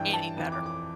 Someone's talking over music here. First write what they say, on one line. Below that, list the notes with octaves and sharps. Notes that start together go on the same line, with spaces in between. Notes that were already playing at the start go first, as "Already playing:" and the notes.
Any better.
Already playing: G2 E3 G5
A5
F2 E3
D6
D6